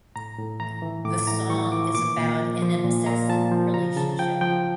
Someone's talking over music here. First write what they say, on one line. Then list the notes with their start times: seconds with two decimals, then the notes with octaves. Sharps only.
The song is about an obsessive relationship.
0.16 A2 A#5
0.38 A2
0.60 E3 A#5
0.82 E3
1.05 A2 D6
1.27 A2 A#5
1.50 E3 C#6
1.72 E3 D6
1.94 A#2 D6
2.17 A#2
2.40 F3
2.62 F3
2.84 A#2
3.06 A#2 A#5
3.29 F3 A5
3.52 F3
3.74 C#3 A#5
3.96 C#3 A5
4.19 F3 G5
4.41 F3 G5